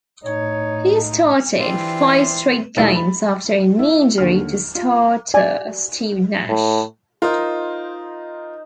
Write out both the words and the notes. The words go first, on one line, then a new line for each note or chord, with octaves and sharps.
He started five straight games after a knee injury to starter Steve Nash.
A2 D#4 C#5
E3 C4 D4 E4 F4 G4
E1 G3 A3 D#4 E4 A6
B5
E4
D#2 D3 F6
F4
D5 G#5
A2
D#4 F4 A#4 C5